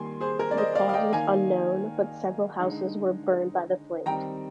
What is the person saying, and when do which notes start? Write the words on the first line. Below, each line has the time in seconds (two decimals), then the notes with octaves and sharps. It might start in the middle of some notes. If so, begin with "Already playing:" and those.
The cause was unknown, but several houses were burned by the flames.
Already playing: D#3 G3 A#3 G#5 C6
0.21 G#4 C5
0.39 A#4
0.51 D5
0.57 C5 D#5
0.75 D5 F5
0.89 F5
0.94 D#5 G5
1.12 D#3 A#3 D#4 F5 G#5
2.60 D3 G#3 D#4
4.06 D#3 G3 C4 D#4 G5 A#5